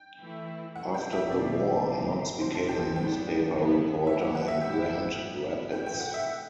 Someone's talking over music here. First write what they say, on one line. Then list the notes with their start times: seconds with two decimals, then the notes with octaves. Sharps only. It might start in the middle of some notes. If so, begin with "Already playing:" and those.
After the war, Knox became a newspaper reporter in Grand Rapids.
Already playing: G5
0.20 E3 A3 E4
0.75 C3 F#3 A3 F#5
0.94 G5
1.13 E5
1.30 B2 F#3 B3 D5
1.86 F#3 C4 G4
2.41 C3 E3 G3 C5
2.55 A5
2.69 G5
2.82 A5
2.96 C3 F#3 B3 D4 G5
3.51 D3 F#3 B3 E4
4.07 F#3 A3 E4 G4 E5
4.20 F#5
4.35 F#5
4.48 E5
4.62 A2 F#3 B3 E4 G5
5.17 G3 B3 E4
5.72 C3 E3 A3 E4 G5
5.86 G5
6.00 F#5
6.14 E5